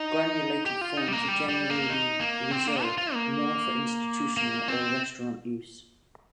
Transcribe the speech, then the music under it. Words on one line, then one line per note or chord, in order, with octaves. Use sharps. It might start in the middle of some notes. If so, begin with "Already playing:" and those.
Granulated forms are generally reserved more for institutional or restaurant use.
Already playing: D#4
G4
F4
D#4
G3
A#3
G3
G3
A#3
D#4
A#3
C4
A#3
F4
F4
A#3
A#3
C4